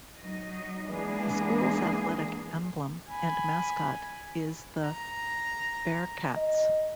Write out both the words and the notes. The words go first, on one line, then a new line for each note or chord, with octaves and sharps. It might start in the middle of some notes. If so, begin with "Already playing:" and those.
The school's athletic emblem and mascot is the "Bearkatz".
F#3 D#4 D#5
E3 G#3 A#3 B3 D4 G#4
G#5 B5
A#5
D#5